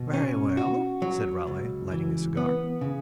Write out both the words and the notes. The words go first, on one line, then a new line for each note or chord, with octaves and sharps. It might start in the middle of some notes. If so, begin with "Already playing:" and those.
"Very well," said Raleigh, lighting a cigar.
Already playing: B2
C#4
F#4
F#3
C#2
E3
B3
C#3